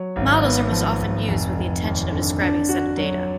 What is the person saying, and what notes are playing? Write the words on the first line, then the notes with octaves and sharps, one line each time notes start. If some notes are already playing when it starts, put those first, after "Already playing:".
Models are most often used with the intention of describing a set of data.
Already playing: F#3
G#1
B3
F3
G#1
F1
F1
D#2
D3
D4
F#4
F#3